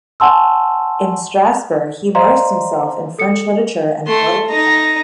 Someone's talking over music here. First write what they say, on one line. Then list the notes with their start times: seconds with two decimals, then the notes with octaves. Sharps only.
In Strasbourg, he immersed himself in French literature and political thought.
0.20 F#5 G#5 A5 C6 C#6 E6
2.15 C5 D5 D#5 F5 A#5 C6
3.19 A4 C#7
4.07 A3 C6
4.50 D#4 A#5